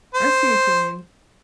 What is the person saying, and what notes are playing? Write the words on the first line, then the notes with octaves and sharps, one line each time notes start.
I see what you mean.
C5